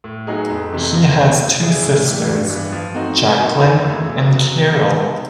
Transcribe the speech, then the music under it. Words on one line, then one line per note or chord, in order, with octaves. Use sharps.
He has two sisters, Jacqueline and Carol.
A2
F#3 B3 D#4 G#4
F2
C3 E3 A3
F3
A3 C#4
B2
G3 B3 E4 G#4
A2
E3 G3
G2
E3 G3 B3
F3
A3 C4 D#4 F#4
B2
F#3 A#3 D#4 F#4
F#2
C#3 E3 A3
B2
F#3 B3